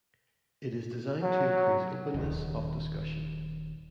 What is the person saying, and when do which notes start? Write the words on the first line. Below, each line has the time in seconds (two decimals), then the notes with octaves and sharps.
It is designed to increase openness of discussion.
1.23 F#3
2.14 D#1 D#3